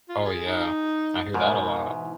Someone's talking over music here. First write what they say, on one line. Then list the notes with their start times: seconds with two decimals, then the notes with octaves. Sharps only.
Oh, yeah. I hear that a lot.
0.09 F4
0.25 G#4
0.47 D#4
1.34 G#2 B2 A#4
1.86 E3